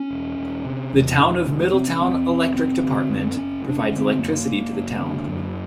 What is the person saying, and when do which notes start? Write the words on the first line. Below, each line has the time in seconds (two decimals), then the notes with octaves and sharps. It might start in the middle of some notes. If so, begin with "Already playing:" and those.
The Town of Middletown Electric Department provides electricity to the town.
Already playing: C#4
0.10 E1
0.38 E1
0.65 C3
0.93 E2
1.19 E1
1.47 E1
1.73 C3 C4
1.88 C#4
2.01 E2 C4
2.29 E1
2.55 F#1 C4
2.83 D3
3.09 F#2
3.36 F#1 C#4
3.64 F#1
3.69 D4
3.78 C#4
3.91 D3
3.98 C4
4.18 F#2 A#3
4.45 F#1
4.73 F#1
5.00 D3
5.28 F#2